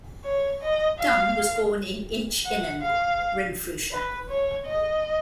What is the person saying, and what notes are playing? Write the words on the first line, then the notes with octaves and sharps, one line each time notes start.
Dunn was born in Inchinnan, Renfrewshire.
C#5
D#5
F5
F#5
F5
B4
C#5
D#5